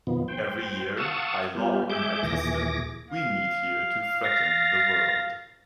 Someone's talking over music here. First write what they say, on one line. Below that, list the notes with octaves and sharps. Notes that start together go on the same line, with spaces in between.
Every year, by law and by custom, we meet here to threaten the world.
F2 B2 D#3 F3 B3
C5 G5
F5 F#5 A5 C#6 D#6 E6
G3 B3 F4 G4
G#3 G#4 E5 D6 G6
D#2 A#2 E3 G#4 D6 A#6
F5
A6 A#6